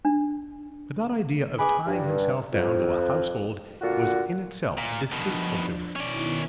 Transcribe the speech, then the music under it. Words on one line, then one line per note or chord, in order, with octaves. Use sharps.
But that idea of tying himself down to a household was in itself distasteful to him.
D4
G#4 B4 G#5 B5 D6
G2
F2
A#2 D3 F4 F#4
A#2
B2 D#3 F3 D4
B2 D#3 C#4 E4 D5